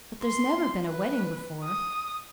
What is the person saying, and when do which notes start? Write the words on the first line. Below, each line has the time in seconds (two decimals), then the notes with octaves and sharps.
But there's never been a wedding before.
0.23 C6
0.86 B4
1.64 D#6